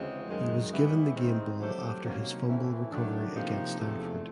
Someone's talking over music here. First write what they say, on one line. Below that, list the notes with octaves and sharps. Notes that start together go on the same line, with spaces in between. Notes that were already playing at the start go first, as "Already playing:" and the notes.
He was given the game ball after his fumble recovery against Stanford.
Already playing: D2 C#3 E3 G#3 C4
F#2 D#3 G#3
C#3 E3 G3 B3 E4
D#3 G#3 C4
F#3 A3 D4 G4 C5
C3 D#3 F#3 A#3 C#4
A2 E3 A3 C4 E4
D#3 F#3 A3 D4
C3 F3 A#3 D#4
E2 C3 F3 A3